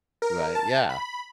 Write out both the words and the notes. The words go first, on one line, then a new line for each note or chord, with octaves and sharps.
Right, yeah.
A#4
A5
B5